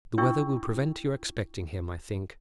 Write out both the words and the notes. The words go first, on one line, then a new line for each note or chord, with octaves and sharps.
The weather will prevent your expecting him, I think.
D4 E4 F4 G5 C#6 E6